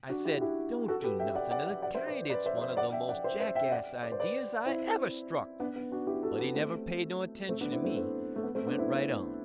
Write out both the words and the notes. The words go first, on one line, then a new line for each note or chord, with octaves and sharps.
I said, "Don't do nothing of the kind; it's one of the most jackass ideas I ever struck;" but he never paid no attention to me; went right on.
D4 F#4
E4 G4
E4 G4
F#4 A4
A4
G4 B4
E5 G5
D5 F#5
D5 F#5
D5 F#5
D5 F#5
C5 E5
B4 D5
B4 D5
C5 E5
D5
C5 E5
D5 F#5
E5 G5
D5 F#5
C5 E5
C5 E5
E5 G5
D5 F#5
D5
C5
B4 D5
C4 E4
B3 D4
B3
D4 F#4
E4 G4
F#4 A4
B3
A3 C4
A3 C4
B3 D4
C4 E4
A3 C4
A3 C4
A3
B3
A3 C4
B3 D4
C4 E4